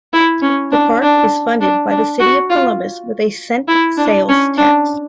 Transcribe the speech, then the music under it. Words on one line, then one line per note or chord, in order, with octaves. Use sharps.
The park is funded by the City of Columbus with a -cent sales tax.
E4
C#4
D4
D4
D4
D4
F#4
F4
E4
D4
C#4
D4